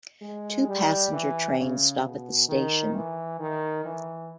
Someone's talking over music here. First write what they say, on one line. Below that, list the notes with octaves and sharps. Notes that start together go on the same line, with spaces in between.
Two Passenger trains stop at the station.
G#3
G3
E3
C#3
B2
D#3
E3
D#3
E3